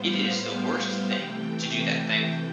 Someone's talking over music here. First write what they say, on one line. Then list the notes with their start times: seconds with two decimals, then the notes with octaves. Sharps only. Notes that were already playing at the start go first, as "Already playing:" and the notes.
It is the worst thing to do that thing.
Already playing: A2 G3 B3 C5 F5
0.31 G5
1.12 C3 E3 A3